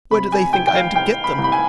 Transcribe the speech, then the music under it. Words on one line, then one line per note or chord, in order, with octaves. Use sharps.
Where do they think I am to get them?
C3 B5
G#5
C2 G5
G5
F5
C2 G5
B5
C2
B5
G#5